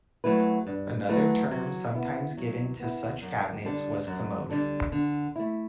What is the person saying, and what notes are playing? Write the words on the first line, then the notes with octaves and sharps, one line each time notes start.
Another term sometimes given to such cabinets was commode.
F#3 A3 E4 B4
G2
F#3 A3 E4 B4
F#3
B3 E4
F#3
B3 E4
F#2
D3 G3 D4 A4
F#2
D3 G3 D4 A4
D3
A3 E4